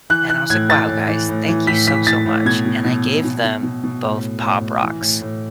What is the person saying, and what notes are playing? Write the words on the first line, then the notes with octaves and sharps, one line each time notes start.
And I was like, "Wow, guys. Thank you so, so much." And I gave them both Pop Rocks.
E3 F#6
E3 F#6
A2 G#6
E3 A6
A2
E3
A2
E3
A2 B6
E3 B6
A2 A6
A2
B2 G#6
B2
B2
B2
B2
B2
B2
B2
A2
A2
A2
A2
E3
A2
A2